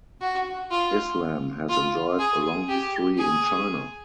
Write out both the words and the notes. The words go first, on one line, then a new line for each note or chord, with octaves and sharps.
Islam has enjoyed a long history in China.
F#4
F4
F4
G#4
G4
G#4